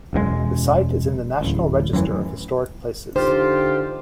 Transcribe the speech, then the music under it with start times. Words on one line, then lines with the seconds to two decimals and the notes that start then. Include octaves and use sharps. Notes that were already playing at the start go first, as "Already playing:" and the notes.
The site is in the National Register of Historic Places.
0.13 E1 F#2 A#2 G#3
1.41 D1 A1
1.93 F#2 A2 D3 E3
3.16 D3 D#4 F4 G4 C5